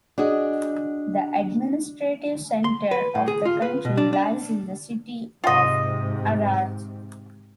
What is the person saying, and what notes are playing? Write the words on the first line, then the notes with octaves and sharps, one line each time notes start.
The administrative center of the county lies in the city of Arad.
D4 F#4 G#4 D#5
C6
B4
A2
G#4
F4
B4
B2
D4
D4
G#2 C3 F4 D#5